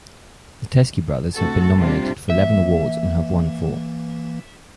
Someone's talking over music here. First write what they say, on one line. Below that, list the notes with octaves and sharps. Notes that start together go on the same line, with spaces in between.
The Teskey Brothers have been nominated for eleven awards and have won four.
D2 C3 F#4 A4
C3 G3 D4 F4
E3 A#3 E5